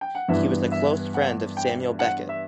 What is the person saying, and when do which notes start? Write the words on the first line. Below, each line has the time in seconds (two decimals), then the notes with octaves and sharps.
He was a close friend of Samuel Beckett.
0.01 G5
0.15 F#5
0.28 G2 E3 B3 E5
0.72 E5
1.14 F#5
1.57 G5
1.99 F#5
2.29 E5